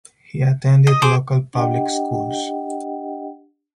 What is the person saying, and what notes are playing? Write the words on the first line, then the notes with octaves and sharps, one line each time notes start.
He attended local public schools.
D#5
G#4 C5 D6
D4 G4 D#5 F#5 G5